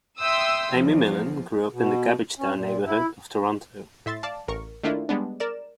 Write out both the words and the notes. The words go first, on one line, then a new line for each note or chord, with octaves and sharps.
Amy Millan grew up in the Cabbagetown neighbourhood of Toronto.
E5 G5 C6 D#6 E6
E2 F3
B2
C#4
A#2
E4
A2 E5 C6 A6
D5 F5 A5
A1 A#4 C#6
D#3 A3 A#3 D4 E4 F4
G3 G#3 B3 D4
A#4 D5 E7